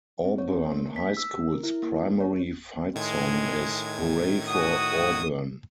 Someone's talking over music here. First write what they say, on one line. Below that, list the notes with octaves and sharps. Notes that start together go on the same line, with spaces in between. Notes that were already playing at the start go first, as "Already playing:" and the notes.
Auburn High School's primary fight song is "Hooray for Auburn!".
C4
C#5
A#3
B6
E6
A#4
E4
A#3
C#5
A2 D#3 G#3 G#6
F#4 D#6